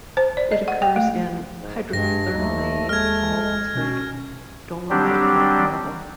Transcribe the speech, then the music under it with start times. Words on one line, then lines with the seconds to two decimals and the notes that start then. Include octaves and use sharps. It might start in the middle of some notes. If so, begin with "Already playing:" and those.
It occurs in hydrothermally altered dolomite and marble.
0.17 C5
0.37 D5
0.52 D#5
0.68 F#5
0.82 G5
0.96 A3
1.60 G#2
1.93 G2 G#3 G4 A#6
2.32 D#2 A3 D#4
2.89 G#3 A3 F6 G#6
3.75 B2 C#4
4.90 F#3 G3 C4 D4 G4